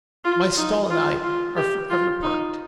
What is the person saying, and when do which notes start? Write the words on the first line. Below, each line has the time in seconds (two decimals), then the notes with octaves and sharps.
My stall and I are for ever parted.
0.24 F4
0.57 D#4
0.90 F4
1.23 F4
1.57 G4
1.90 F4
2.22 D#4